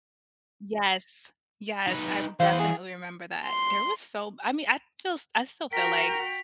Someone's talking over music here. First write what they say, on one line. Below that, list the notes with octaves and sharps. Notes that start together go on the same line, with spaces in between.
Yes. Yes, I would definitely remember that. There was so I mean, I feel s I still feel like
D#4 B4
E3 C5 F5 F#5
G#4
C6
F#4 A#4 G5 B6 F7